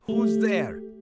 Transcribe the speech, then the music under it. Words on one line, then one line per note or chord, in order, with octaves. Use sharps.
'Who's there?
A3 G4